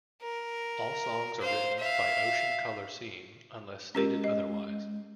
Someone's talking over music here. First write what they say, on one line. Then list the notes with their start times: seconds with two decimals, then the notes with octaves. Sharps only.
All songs are written by Ocean Colour Scene, unless stated otherwise.
0.22 A#4
1.41 C5 F5
1.79 E5 F5
3.95 G#3 C#4 G4 A#4
4.24 D#5